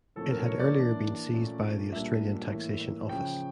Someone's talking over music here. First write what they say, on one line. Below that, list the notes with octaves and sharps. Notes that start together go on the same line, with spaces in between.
It had earlier been seized by the Australian Taxation Office.
A2 F3 A#3 C#4 A4
A#4
C#5
D5
E3 A#3 D4
A#2 A3 C#4
A#2 G3 A#3 D4 E5
A2 E3 A#3
C#3 F3 C#4 G5